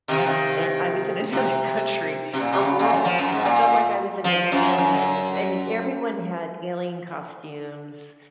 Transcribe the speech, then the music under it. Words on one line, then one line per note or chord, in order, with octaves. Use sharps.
and I was in another country or world, I felt like I was in an alien I mean, everyone had alien costumes,
C3 D#3
F3
C3 D#3
C3
C3
A#2
C3
C#3
A#2
F#2
F3
F#2
G#2
A#2
F3
F#2
F#2